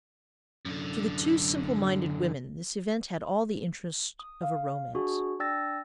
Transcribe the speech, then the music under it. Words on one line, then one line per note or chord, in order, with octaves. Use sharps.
To the two simple-minded women this event had all the interest of a romance.
F#2 D3
D#6
F5
D4 F#4 G#4
D4 D5 G5 E6 A6 A#6